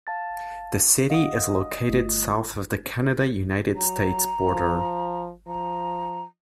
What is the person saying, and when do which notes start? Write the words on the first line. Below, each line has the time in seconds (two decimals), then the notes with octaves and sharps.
The city is located south of the Canada–United States border.
0.07 F5 A5 A6
1.10 D#5 F5 F#5 D#6
1.89 G1 A3 F4
3.76 F#3 A#5
4.47 F3
5.47 F3 A#5